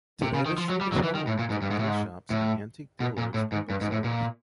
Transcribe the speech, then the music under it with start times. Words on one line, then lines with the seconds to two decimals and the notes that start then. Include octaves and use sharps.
Today the street is home to many shops and antique dealers and booksellers.
0.23 C3
0.34 C#3
0.46 D#3
0.58 F3
0.69 F#3
0.81 G3
0.92 F#3
1.04 E3
1.15 D#3
1.27 A2
1.39 A#2
1.50 G#2
1.62 G2
1.71 G#2
1.79 A2
1.87 G#2
2.30 A2
3.00 B2
3.18 A#2
3.34 A2
3.52 G#2
3.70 G2
3.81 G#2
3.92 A2
4.04 A#2